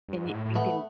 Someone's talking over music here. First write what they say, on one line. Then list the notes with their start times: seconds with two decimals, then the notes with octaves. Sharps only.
and you you can
0.09 G2
0.24 G#2
0.34 A2
0.45 A2
0.56 A3 B3